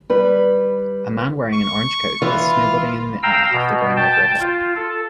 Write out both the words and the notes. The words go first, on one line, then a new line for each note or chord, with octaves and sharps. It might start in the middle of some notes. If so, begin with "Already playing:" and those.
A man wearing an orange coat is snowboarding in the air after going over a hill.
G3 B4
C#6
E3 F4
F5 G5 A#5 E6
B2
G5 A5
F4
A4